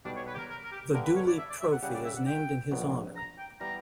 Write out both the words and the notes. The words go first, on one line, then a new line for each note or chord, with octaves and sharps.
The Duleep Trophy is named in his honour.
B1 B2 G3 B3 D4 F#4
C#5
B4
G4
A#4
A#4
A#4
G4
G2 D3 G3 B3 A#4
B4
C#5
D5
E5
D5
E5
F#5
C#3 G3 C#4 G4 F#5
D5
E5
F#5
G5
A#1 A#2 F#3 B3
A#5
G5
E3 G3 B3 A#5